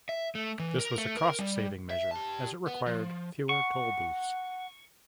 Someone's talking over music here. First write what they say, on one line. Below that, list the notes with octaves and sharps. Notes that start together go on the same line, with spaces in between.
This was a cost-saving measure as it required fewer toll booths.
E5
A3
E3
A#4
A3
A#4
G3
E5
G4 A5
B3
F3
F#5 C#6